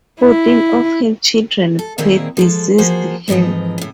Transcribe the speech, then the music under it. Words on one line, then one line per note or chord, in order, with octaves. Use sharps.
Fourteen of her children predeceased her.
E4
A4
A#2 D#3 A#3 C4 E4 G#4
F3 G#3 A4
F3 A#3 F#4 G#4 C5
F2 G#2 E3 F3 D#4
A2 C#3